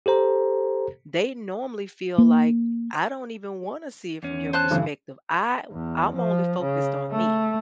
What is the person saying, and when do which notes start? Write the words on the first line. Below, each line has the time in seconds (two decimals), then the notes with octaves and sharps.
they normally feel, like, “I don't even wanna see it from your perspective, I w I'm only focused on me,
0.06 G4 A4 C5 A#5
2.18 A#3
4.23 E2 C#4
4.53 C5 A5 F#6
4.71 G2 D3 E3
5.72 E2
6.16 F3
6.61 C#3
7.12 A3